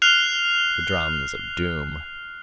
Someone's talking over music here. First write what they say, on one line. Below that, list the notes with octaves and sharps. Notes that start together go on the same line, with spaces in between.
The drums of Doom!
F6 F#6 C7 F7 G7